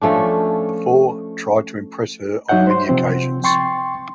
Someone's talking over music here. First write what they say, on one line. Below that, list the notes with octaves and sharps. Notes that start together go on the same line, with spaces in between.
The four try to impress her on many occasions.
F3 A3 C#4 D4
F#3 D#4 C#5 E5 F#5 G6
C5 C6
C3 F3 C4
G5 C6 C#6 A6